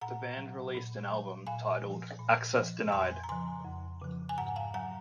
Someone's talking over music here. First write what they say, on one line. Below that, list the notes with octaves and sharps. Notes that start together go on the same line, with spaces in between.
The band released an album titled "Access Denied".
A#2 F#5 A#5
F#3
A#2
F#3
A#2 F5 G#5
F3
A#2
F3
F2 G#5 C6
A#5
C#3 F3 G#5 C6
F2
C#3 F3
G#5
G#2 F#5 A#5
F5 G#5
F#3 F#5 A#5